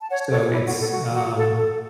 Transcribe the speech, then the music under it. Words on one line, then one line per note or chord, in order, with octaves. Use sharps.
So it's, um
A5
C#5 F#5
A4 C#5
E4
F#4
A4
F#4
F#4
A4
A4